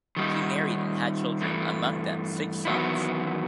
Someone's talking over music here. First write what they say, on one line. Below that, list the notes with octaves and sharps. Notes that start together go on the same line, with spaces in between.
He married and had children, among them six sons.
D#3 G3 D#4
G2 E3 A3
E2 D#3 F#3 B3 E4